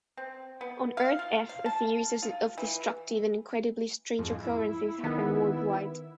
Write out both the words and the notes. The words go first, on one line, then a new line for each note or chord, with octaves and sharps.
On Earth-S, a series of destructive and incredibly strange occurrences happen worldwide.
C4
B3
F5
F4
F5
A5
F4
E3
F2 G#2
E4
D#3 B3